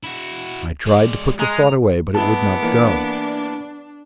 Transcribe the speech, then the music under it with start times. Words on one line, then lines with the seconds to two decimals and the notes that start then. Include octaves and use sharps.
I tried to put the thought away, but it would not go.
0.04 E4 F#4
0.86 G#3 D5
1.40 G#3 A#5
2.15 G#3 B3 E4 A5 D6
2.63 E3 A#3 D4